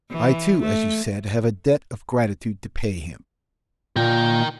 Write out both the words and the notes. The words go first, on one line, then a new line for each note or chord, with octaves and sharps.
I, too, as you said, have a debt of gratitude to pay him.
E3
A3
A#2 A#4 G5